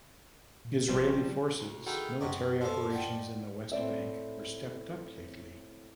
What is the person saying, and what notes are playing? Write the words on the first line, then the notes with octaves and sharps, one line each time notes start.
Israeli forces military operations in the West Bank were stepped up lately.
A#2
A1 F3 G3
D2
D#3 E4 F#4 G#4 A4
F#2 C3 F#4 D#5 D6
F3 A4 C5
D5 F#5 G5
A2 C4 D5 E5